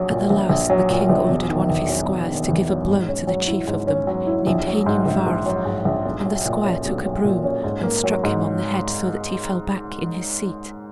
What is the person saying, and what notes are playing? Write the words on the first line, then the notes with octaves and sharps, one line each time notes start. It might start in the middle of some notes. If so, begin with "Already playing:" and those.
At the last the king ordered one of his squires to give a blow to the chief of them, named Heinin Vardd; and the squire took a broom and struck him on the head, so that he fell back in his seat.
Already playing: A#1 F#3
A#2
A#1
A#1
F#3
A#2
A#1
E1
D#3
E2
F#3
E1
D#3
E2
F#3
G#2
C#4
F#3
E4
G#2
C#4
F#3
E4
A#1
F#3
G#2
A#1
A#1
F#3
G#2
A#1
B1
F#3
A#2
C#4
B1
F#3
A#2
C#4
G#2
A#3
F#3
G#2